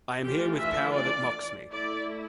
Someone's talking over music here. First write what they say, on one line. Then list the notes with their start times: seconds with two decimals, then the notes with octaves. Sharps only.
I am here with power that mocks me.
0.22 E3 A3 D4 F4 G4
0.59 E5
0.95 D5
1.70 A3 E4 D5